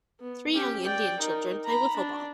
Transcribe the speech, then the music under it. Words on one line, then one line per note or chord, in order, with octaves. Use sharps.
Three young indian children play wiffle ball.
B3
C#4 G4
D5 G5
D#4 A#4
A#5 B5
D4